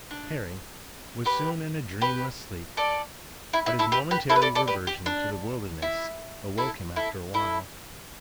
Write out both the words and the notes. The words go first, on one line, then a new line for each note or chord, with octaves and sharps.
Harry was soon in a dreamless sleep, but his momentary reversion to the wilderness awoke him after a while.
D4
G4 B4
G4 B4
A4 D5
E4
E4
E4 A4
G4 B4
G4 B4
E4 A4
B4
A4 D5
A4 D5
G4 B4
G4
D4
E4
E4 A4
E4 A4
E4 A4